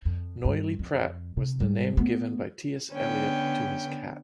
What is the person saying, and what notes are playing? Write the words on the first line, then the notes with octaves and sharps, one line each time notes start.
Noilly Prat was the name given by T. S. Eliot to his cat.
F2
G2
F2
C3
G#2 G3
A3 B3
D3 B3 C#4 G5